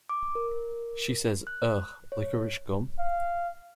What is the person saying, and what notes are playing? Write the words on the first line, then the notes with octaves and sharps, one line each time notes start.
She says, Ugh licorice gum?
D6
A#4
F#6
C#5
F5